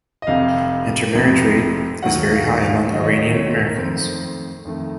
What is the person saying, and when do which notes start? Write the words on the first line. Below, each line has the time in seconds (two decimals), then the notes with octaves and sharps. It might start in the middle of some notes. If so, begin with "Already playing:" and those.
Intermarriage rate is very high among Iranian Americans.
0.22 D#5
0.27 F1 F2 C3 F5
1.14 F1 F2 C3
2.03 D#2 D#3 F#3 A3 F#5
2.32 F5
2.61 F5
2.90 D#2 D#3 F#3 A3 D#5
3.04 C#5
3.17 D#5
3.34 C#5
3.54 A4
3.66 A#4
3.77 F2 D#3 A3 C5
4.65 F2 D#3 A3